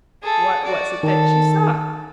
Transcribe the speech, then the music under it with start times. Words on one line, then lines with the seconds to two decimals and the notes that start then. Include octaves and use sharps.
What was it that she saw?
0.23 G#4 A4
0.64 F#4 D5
1.03 D#3 A4